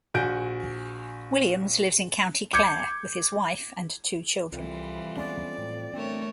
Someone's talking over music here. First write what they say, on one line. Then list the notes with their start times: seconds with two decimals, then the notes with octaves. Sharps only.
Williams lives in County Clare with his wife and two children.
0.14 A#1 F#4 G#5 G6 D7
2.53 D6 G6 G#6 C#7
4.53 C2 F2 E3 G3 F4
5.17 G#3 B3 C#4 D5
5.58 A2
5.94 G1 A3 C4 A#4 C#5